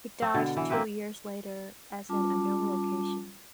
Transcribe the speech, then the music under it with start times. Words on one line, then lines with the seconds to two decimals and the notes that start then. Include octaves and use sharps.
He died two years later at an unknown location.
0.22 C4
0.34 B2 D3
0.57 E3
0.70 A#3 C4 E4 B4
2.09 G3 C#4 F4 A5 D6